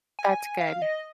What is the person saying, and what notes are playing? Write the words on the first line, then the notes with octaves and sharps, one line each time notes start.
That's good.
G#5
F5
D#5